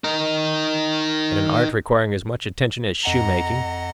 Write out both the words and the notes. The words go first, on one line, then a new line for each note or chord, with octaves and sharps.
And an art requiring as much attention as shoemaking?
D#4 A#4
F2 D#5 F#5 A#5